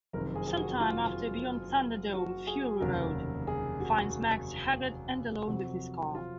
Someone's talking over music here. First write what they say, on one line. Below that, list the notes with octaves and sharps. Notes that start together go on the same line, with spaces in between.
Sometime after "Beyond Thunderdome", "Fury Road" finds Max haggard and alone with his car.
F#1 F2 C3 D#3 A#4
G#4
G#4
F#4
F4
F#4
G#4
F1 D#2 C#3 F#3 A#4
G#4
F#4
F2 C3 F#3 F#4
F4